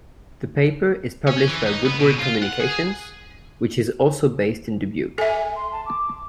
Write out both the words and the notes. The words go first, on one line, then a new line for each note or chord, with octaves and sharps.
The paper is published by Woodward Communications, which is also based in Dubuque.
C#4
E3
D#4
B3
B2
F4
F#5
G#4
A4 E5 G#5
C6
A5
D6